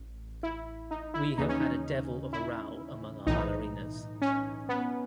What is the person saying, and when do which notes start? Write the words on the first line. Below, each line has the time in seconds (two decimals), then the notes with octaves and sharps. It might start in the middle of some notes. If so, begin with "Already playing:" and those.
We have had a devil of a row among our ballerinas.
Already playing: A1
0.43 E4
0.91 D#4
1.14 E4
1.38 D#2 C#3 E3 D#4
1.49 C#4
1.61 D#4
2.33 E4
3.27 B1 A2 E3 D#4
4.22 C#4
4.69 B3